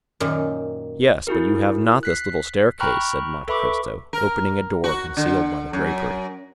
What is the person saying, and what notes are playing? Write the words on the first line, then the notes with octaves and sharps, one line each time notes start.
"Yes, but you have not this little staircase," said Monte Cristo, opening a door concealed by the drapery.
F#2 A#2 D#3
E4 F#4 G#4 A#4
F#6 B6 C7
G5 A#5 B5 C#6 F6 F#6
A4 B4 E5 B5 C#6 D6
A#4
F#4
D3
F#2